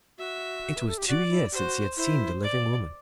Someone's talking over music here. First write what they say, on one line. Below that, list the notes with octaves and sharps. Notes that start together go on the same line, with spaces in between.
It was two years since he had seen the living woman.
F#4 E5
B4
A4
G4
F#4 D5
E4
F#4 G4 C5
E4 C5
D5